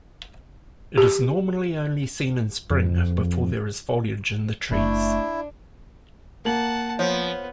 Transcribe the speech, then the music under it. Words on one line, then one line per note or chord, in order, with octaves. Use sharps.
It is normally only seen in spring before there is foliage in the trees.
G4
F2
F#1 A3 D4 E4
A#3 F#5 A5 F#7
F3 B3 C#5